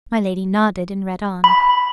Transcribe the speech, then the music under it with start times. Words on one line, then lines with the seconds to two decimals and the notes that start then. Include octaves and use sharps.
My Lady nodded, and read on.
1.44 B5